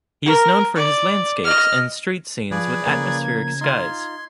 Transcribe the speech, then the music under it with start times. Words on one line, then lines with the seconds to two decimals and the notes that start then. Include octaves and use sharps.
He is known for his landscapes and street scenes with atmospheric skies.
0.25 A#4
0.76 D5
1.44 D#5 F6
2.51 F3 G#4 B4 D5 G#6
2.86 C#3 F3 A#3
3.61 D#4 F4 C6